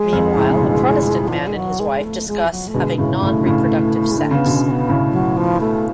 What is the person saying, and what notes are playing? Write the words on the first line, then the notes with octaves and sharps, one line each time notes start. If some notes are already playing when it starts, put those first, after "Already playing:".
Meanwhile, a Protestant man and his wife discuss having non-reproductive sex.
Already playing: G#3
F2
A2 C#3
C#3
B2 D3
D3
F3
G#3
F#3
G#3
A3
G#3
F3
F#3
A3
B2 D3 G#3
A2 C#3 G#3
G#3
A2 C#3 A3
D3
A2 C#3
G#3
D3 A3
C#3 B3
B2 D3
C#4
C#4
B3
A2 C#3
F#3
F3
A3